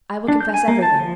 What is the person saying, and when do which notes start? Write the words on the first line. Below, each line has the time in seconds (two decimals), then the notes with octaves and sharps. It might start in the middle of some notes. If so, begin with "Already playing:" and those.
I will confess everything.
0.28 D4
0.41 G6
0.54 G#5
0.68 A#3
0.82 A5
0.99 F3